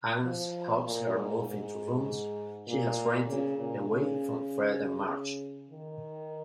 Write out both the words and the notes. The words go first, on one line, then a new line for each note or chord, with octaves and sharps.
Agnes helps her move into rooms she has rented away from Fred and Marge.
F3
A#2
G#2
G#2
A#2
C#3
A#2
C#3
D#3